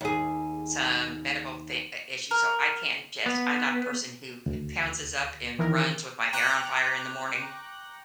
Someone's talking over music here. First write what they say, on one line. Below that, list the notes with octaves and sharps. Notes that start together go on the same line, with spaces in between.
some medical thing uh, issues, so I can't just I'm not a person who pounces up and runs with my hair on fire in the morning.
D#2 G#4
A#4
B3
D2
D#3 E3 A#4
G5 A#5 C#6 D6 F#6 G6